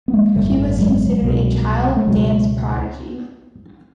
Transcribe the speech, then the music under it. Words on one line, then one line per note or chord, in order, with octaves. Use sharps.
She was considered a child dance prodigy.
B3
G#3 A#3
G#1 F#2 D3 G3 A3
F#3 G#3
C2 B2
A3
C#2 B2 F#3 G#3